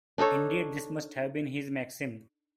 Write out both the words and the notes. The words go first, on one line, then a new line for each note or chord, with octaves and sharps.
Indeed this must have been his maxim.
D4 D#4 A4 C#5